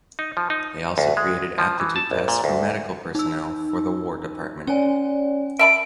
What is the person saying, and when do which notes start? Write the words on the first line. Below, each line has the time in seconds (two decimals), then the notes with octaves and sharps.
They also created aptitude tests for medical personnel for the War Department.
0.19 D#4
0.37 F3
0.50 D#4
0.98 D2
1.17 G#3
1.58 F3
1.80 E3
1.96 A5
2.11 A#1
2.28 A#2
2.44 D2
3.15 D#4 E6
4.67 C#4 C#5 D5 G#5
5.59 E5 A5 B5 D7